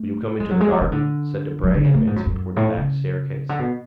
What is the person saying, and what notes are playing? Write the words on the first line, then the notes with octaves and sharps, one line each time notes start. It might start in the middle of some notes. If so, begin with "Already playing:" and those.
"Will you come into the garden?" said Debray, advancing towards the back staircase.
Already playing: A3
G#3
F#3
G#3
F#3
E3
D3
F#3
D3
C#3
A2
G#2
F#2
F#2
A2
C#3
D3
B2